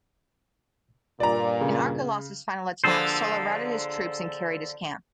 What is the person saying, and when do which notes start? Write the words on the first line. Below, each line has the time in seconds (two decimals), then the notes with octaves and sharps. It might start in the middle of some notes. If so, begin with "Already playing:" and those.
In Archelaus' final attack, Sulla routed his troops and carried his camp.
1.20 G2 A#2 D5 A#5
1.61 C#3
2.84 D3 F3 A#3 G#4 A4 C5